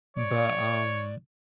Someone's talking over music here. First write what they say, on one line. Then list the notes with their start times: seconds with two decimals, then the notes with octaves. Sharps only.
But, um
0.17 C#5 D5